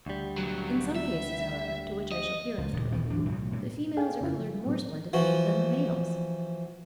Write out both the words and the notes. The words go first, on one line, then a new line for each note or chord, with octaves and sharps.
In some cases, however, to which I shall hereafter allude, the females are coloured more splendidly than the males.
D2 G3
C2 F#3
E5
D#5
C#2
D#1 D#2
D#1 D#2 A2
D1 F#2 E3 D4
B1 A2 A3
A2 G3
G#4 A4 F5 G5 G#5
F2 C#3 C#4 E4 F4
F3
A2 F#3 A3 B3 C4
E3 F3 F#4